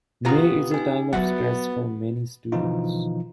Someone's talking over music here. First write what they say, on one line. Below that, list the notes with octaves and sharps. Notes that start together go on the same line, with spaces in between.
May is a time of stress for many students.
B3 F4 G4 A#5 D#6
D#4 G4 G#5
F#3 B3 F4 F#4 E5 F#5 A6
B2 D3 E3 F3 D#4 F4